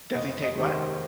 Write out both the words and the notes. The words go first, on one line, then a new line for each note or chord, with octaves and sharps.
Does he take what?
F1 D#5
D#5
D#2 D#3 G#3
C5